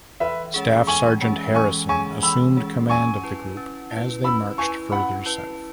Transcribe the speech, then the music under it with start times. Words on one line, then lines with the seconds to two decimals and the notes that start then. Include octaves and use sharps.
Staff Sergeant Harrison assumed command of the group as they marched further south.
0.20 E3 B4 E5
0.54 G#3 C#4 G#4
0.87 E3 G#5 C#6
1.21 G#3 C#4 G#4
1.55 E3 G#5 C#6
1.89 G#3 C#4 G#4 G#5 C#6
2.22 E3 B5 E6
2.56 G#3 C#4 G#4
2.89 C#4 G#5 C#6
3.24 E4 B4
3.57 C#4
3.91 E4 B4
4.24 C#4 B5 E6
4.58 E4 B4 G#5 C#6
4.92 C#4 F#5 B5
5.26 E4 B4